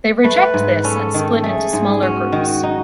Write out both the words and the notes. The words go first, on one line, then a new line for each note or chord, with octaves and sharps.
They reject this and split into smaller groups.
A3 B4
G#2
C#4 A4
D#3
A3 G#4
G#2
C#4 F#4
D#3
D#4